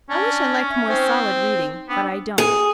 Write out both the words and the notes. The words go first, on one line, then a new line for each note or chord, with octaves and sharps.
I wish I liked more solid reading; but I don't.
C#4 D4
E5
C4 D#4 C5
B3 D4 G5 E6
G#4